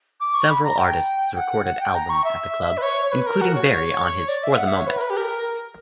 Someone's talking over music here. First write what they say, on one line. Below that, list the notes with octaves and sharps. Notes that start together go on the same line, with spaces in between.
Several artists recorded albums at the club, including Barry on his For the Moment.
D6
C#6
B5
A#5
G5
F#5
F#5
G5
A#5
C#6
E5
B4
C#5
C#5
B4
A#4
F#4
C#5
C#5
D5
E5
F#5
E5
C#5
B4
A#4
B4
G4
A#4